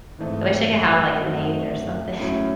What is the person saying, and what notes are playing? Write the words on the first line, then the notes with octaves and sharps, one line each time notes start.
I wish I could have, like, a maid or something.
G#2 E3 A3 C4 D#4
F#2
F#2 D#3 A3 C4 D#4 F#4
F#2
E2 A2 F#3 C#4 E4